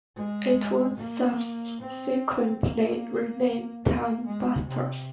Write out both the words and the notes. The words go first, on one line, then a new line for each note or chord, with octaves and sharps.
It was subsequently renamed "TimeBusters".
G#3
A#3
C4
A#3
A#3
G#3
C3